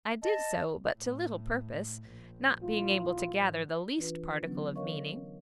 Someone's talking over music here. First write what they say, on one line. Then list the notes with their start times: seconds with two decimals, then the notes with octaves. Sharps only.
I did so, but to little purpose, not being able to gather the least particle of meaning.
0.22 D#5 A5
0.96 A2
2.08 A#1
2.63 E4 F4
3.35 G#2 F3
3.98 E3 D4 F4 B4
4.43 D3 F#3 B3 C#4 D4
4.76 A#4 C#5 D#5 F5 C#6